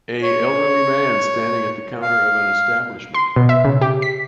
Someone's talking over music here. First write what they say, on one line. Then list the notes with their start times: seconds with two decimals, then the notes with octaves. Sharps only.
A elderly man standing at the counter of an establishment.
0.23 C#5
2.02 F5
3.14 C6
3.36 B2
3.49 E5
3.65 C#3
3.81 G4
4.02 B6